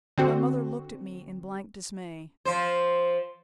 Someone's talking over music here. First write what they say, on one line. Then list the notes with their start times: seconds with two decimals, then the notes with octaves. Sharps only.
My mother looked at me in blank dismay.
0.18 D3 C4 F#4
2.45 F3 C5